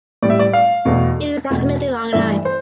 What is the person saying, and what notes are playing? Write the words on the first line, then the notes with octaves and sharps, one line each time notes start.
It is approximately long and high.
A2 G3 D5
E5
D5
F5
E2 B2 A3
E2 B2 A3
G2 E3 A3 E5
C5